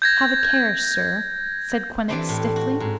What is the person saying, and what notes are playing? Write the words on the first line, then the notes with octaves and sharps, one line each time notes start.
"Have a care, sir," said Quinnox stiffly.
G6 G#6 A#6
E3 C4 D4 G4 B4 C5
A2
F#4
G#2